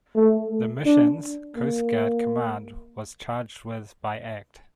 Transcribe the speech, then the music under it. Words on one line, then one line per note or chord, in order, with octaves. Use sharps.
The missions, Coast Guard Command was charged with by Act.
A3
A3
D4
A#3